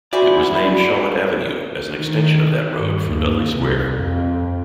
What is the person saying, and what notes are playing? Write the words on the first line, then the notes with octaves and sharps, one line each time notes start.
It was named Shawmut Avenue, as an extension of that road from Dudley Square.
E4 F#4 G#4 C5 D5 B5
D#3
G2
D#2
C2
F2